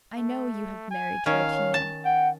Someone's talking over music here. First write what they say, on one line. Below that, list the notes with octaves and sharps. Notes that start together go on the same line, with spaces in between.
I know you have married Troutina.
A3
G#5
D#3 C#4 C#5 F5
A5
F#5 G5